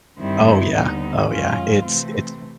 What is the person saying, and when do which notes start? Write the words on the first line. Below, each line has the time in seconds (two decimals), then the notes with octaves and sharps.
Oh yeah, oh yeah, it's it's
0.17 G2 D#3 G3 C4 E4
0.73 D#2 D3 G3 B3 D#4
1.29 F#2 D#3 G#3 C#4 F4
1.84 C3 E3 A3 C4